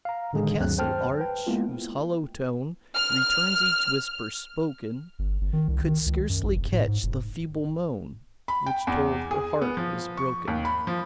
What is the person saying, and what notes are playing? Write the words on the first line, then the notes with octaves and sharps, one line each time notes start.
The castle-arch, whose hollow tone Returns each whisper spoken, Could scarcely catch the feeble moan Which told her heart was broken.
F5 A#5
A2 D3 D#3 G#3 G#4
D2 G2 F#3 C4 F#6
C5 G5 A5 F6
B4 G5
G#3 A#3 B3 E4 F4
F6
G1
G1
D#3
C2
D#3
C#2
F#2
A1
F1
A2
G#2
F1
B5
G5
E2
G#4
B3
F3
C#6
D#2
B5
F3